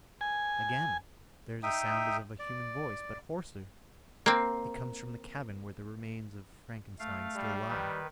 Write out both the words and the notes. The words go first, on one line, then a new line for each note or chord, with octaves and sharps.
Again there is a sound as of a human voice, but hoarser; it comes from the cabin where the remains of Frankenstein still lie.
G#5
D#4 E5 G5 D#6
D5
A#3 C4
A3 F5
G3
D#3 B4